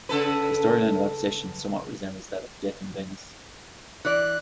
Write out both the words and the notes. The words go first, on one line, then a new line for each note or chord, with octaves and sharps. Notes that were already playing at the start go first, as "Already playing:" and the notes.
The storyline of obsession somewhat resembles that of "Death in Venice".
C#3 A4 B4
E3 D5 F#6